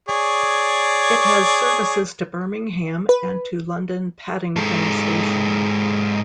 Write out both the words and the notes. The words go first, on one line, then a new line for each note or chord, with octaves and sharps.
It has services to Birmingham and to London Paddington station.
G#4 C#5 D5
B4
G#2 A4